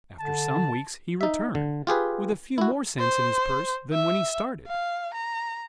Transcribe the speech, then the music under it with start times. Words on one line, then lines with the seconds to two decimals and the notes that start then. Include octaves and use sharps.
After some weeks he returned, with a few more cents in his purse than when he started!
0.20 D3 A5
1.21 D#4 E5
1.55 D3
1.87 F4 G4 G#4 B4
2.58 E4 F#4
2.99 C5
3.92 E5
4.67 F5
5.14 A#5